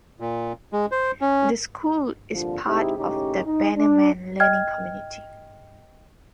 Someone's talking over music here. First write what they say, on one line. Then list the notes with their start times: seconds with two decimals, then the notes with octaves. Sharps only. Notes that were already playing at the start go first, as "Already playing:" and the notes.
The school is part of the Bannerman Learning Community.
0.20 A#2
0.72 G#3
0.92 C5
1.21 C#4
2.33 C2 A#2 D3 F3
2.67 C3 G#3 D#4 E4 G4
2.98 D#2 A2 C#3 C#4 D#4 G4
3.45 D#4
3.77 D4
4.40 D#5 G5 F6 G#6